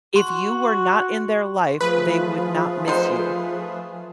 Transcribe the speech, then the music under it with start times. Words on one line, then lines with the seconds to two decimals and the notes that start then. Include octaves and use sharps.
"if you were not in their life, they would not miss you."
0.16 F#4 C6
1.81 F3 A3 F4 G#4 B4
2.88 D#4 C5